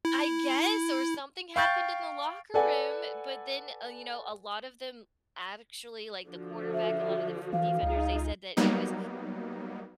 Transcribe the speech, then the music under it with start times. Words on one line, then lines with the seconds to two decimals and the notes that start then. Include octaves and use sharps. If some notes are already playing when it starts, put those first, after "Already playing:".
I guess, or something happened in the locker room, but then Oh, you know, a lot of them actually, like, the quarterback, a lot of def defenders, they said that it was
0.05 E4
1.56 F5 G5 C#6 G6 A6
2.54 A4 B4 D5 F#5 G#5
6.27 D3 F3 F#4
6.73 E5
7.53 E3 F5
7.83 C#2 D#4 F4 G#4
8.57 F#3 G3 A#3 B3 D#4